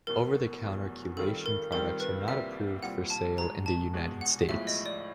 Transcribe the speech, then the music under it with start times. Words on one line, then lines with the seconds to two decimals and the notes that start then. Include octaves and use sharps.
Over-the-counter chelation products are not approved for sale in the United States.
0.07 F1 E2 B2 F#3 A#4
0.62 F1 E2 B2 F#3
1.17 G2 D#3 G3 C4 F4 A4
1.46 A#4
1.72 G2 D#3 G3 C4 F4 A#4
2.00 B4
2.28 C2 A#2 G3 C4 F4 E5
2.83 C2 A#2 G3 C4 F4 F#5
3.10 A5
3.38 E2 B2 G#3 A#5
3.66 A5
3.93 E2 B2 G#3
4.21 F#5
4.49 B1 A2 F3 G#3 E5
4.67 D#5
4.86 D5